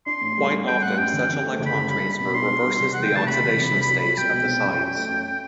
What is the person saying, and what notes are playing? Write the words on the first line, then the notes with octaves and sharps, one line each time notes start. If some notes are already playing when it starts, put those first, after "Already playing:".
Quite often such electron transfer reverses the oxidation states of the sites.
D4 C6
A2
G3
G3
G3 G5
A2 F#5
F#2 G5
D3
D3
A3
F#1
B5
F#2
G3 B5
D4
B5
B2
D4 C6
D4
G3
C3
E1 F#5
G5
D2 A5
C3 B5
E1
C3
C2
F#3
F#3
C2 G5
B2
C4
F#2
F#3
A3
F#2